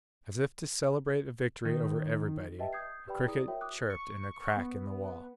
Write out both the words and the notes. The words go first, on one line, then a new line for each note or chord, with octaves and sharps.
As if to celebrate a victory over everybody, a cricket chirped in a crack in the wall.
D#3
G4 B4 D#5 E5 G5 A5
D#6 G6 G#6 C7
G4 B4 D5 G5 B5
E4 G#4 D5 D#6
F#4 A#4 C#5 E5 G5
D6 D#6 F#6
C#6
B3